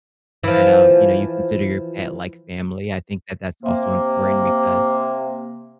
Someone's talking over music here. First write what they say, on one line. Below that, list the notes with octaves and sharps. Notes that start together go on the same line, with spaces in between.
that, um, you know, you consider your pet like family, I think that that's also important because,
E3 F3
C3 A#3